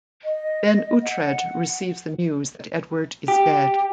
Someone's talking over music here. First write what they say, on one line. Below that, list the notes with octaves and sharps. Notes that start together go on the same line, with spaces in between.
Then Uhtred receives the news that Edward is dead.
D#5
F#5
G4